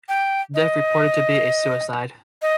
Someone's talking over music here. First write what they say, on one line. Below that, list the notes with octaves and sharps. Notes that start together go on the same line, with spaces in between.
The death reported to be a suicide.
G5
D#5
D#5